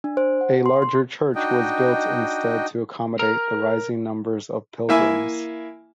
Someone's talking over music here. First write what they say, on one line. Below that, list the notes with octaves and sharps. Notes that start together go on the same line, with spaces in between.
A larger church was built instead to accommodate the rising numbers of pilgrims.
D4
C5
F#5
C6
C6
D4 D#4 F#4 D#5 G5
A#4 A#5
A#3 E4 E5 G#5